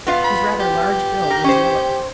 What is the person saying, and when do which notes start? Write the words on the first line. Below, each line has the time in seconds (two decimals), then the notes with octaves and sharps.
His rather large bill was yellow.
0.07 B3 F4 F5
0.24 B5
0.60 G4
1.30 A#4
1.44 C#4 C5